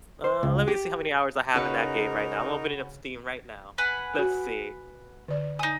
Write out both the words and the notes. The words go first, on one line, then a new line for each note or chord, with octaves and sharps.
Uh, let me see how many hours I have in that game right now; I'm opening up Steam right now. Let's see,
C5
C#2
G4
C#3 C#4 D#4 F#4 A#4 B4 F5 C#6
B4 F#5 G#5
F#4
D3 D5
D#4 G#5 D#6